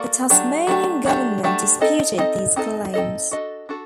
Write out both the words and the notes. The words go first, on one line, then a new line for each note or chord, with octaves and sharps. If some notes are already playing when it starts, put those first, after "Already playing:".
The Tasmanian government disputed these claims.
Already playing: A#3 F#4 A4 D5
F#3 A3 D4 G4
F#3 A3 D4 G4
F#3 A3 D4 G4
F#3 A3 D4 G4
C4 D#4 A4 D#5
C4 D#4 A4 D#5
C4 D#4 A4 D#5
C4 D#4 A4 D#5
D4 F#4 A4 D#5
D4 F#4 A4